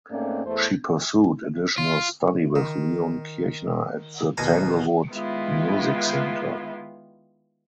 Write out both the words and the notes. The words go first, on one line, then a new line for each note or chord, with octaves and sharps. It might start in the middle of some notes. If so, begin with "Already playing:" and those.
She pursued additional study with Leon Kirchner at the Tanglewood Music Center.
G#2 A3 A#3 C4 C#4 D5
E2 A3 C5
F4
D#3
D#2 B2 F4 G#5 A#5
D#3 G#3 B3 E4 F4